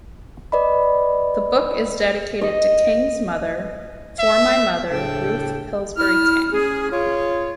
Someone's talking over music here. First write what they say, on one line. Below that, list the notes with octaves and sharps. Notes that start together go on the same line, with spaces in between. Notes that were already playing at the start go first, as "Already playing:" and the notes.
The book is dedicated to King's mother: For my mother, Ruth Pillsbury King.
B4 D5 D#5 B5
D#5
E5
A2 C#3 D4 A4 G5
E4 F6
C#4 G#4
F4 G#4 C#5